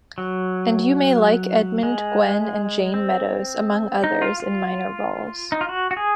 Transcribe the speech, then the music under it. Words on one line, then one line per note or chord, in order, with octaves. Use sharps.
And you may like Edmund Gwenn and Jayne Meadows, among others, in minor roles.
F#3
G#3
C4
D#4
F4
F4
D#4
F4
F#4
F#4
G#4